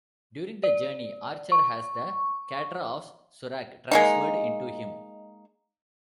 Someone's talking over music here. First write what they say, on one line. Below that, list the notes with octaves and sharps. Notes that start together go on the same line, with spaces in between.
During the journey, Archer has the katra of Surak transferred into him.
D5
C#6
G#3 A#3 D#4